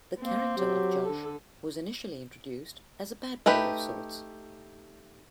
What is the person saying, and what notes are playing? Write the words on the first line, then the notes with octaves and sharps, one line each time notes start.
The character of Josh was initially introduced as a bad boy of sorts.
A#3 C4
F#3 G4
D3 A4
A3 D#4 G4 B4